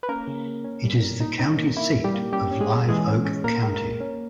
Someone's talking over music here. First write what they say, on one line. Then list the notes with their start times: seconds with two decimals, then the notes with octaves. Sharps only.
It is the county seat of Live Oak County.
0.03 B4
0.09 A#3 C#4 A#4
0.27 C#3
0.46 C#3
0.64 C#4
0.84 G3
1.02 G3
1.20 A#2 D#4
1.39 C#4 D#4
1.58 A#3
1.77 A#3 E4
1.95 A#2
2.04 G3 G4
2.14 A#3
2.32 G3 C#4 G4
2.51 C#4
2.61 G#3 G#4
2.70 C#4
2.88 E3 G#3 G#4
3.07 C#4
3.25 C#4
3.44 A#2 A#3 A#4
3.63 G#3
3.82 A#2
4.00 C#4